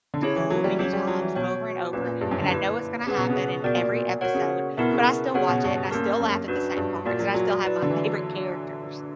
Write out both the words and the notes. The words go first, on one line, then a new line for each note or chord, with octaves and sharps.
so many times over and over, and I know what's gonna happen in every episode, but I still watch it, and I still laugh at the same parts, and I still have my favorite characters.
D3
C#3 E4 G4 C#5
E3
F#3
G3
F#3 C#4 G4 C#5
G3
F#3
E3
B2 F#4 C#5 G5
A#2 C#4 G4 B4
A#2
G2
F#2
D3
A#3 E4 G4 B4
C#3 G4 B4 F#5
B2
C#3
B2 F#4 A#4 D5 G5
A#2
B2
F#4 A#4 C#5 F#5
C#3
B2 B3 E4 A#4 E5
C#3
C#3 B3 F#4 C#5 F#5
B2
G2
A#3 C#4 G4 A#4
F#2
D4 F#4 B4
G2
A#2 F#4 A#4 D5
F#3
F#3
E4 B4 D5
D3
E3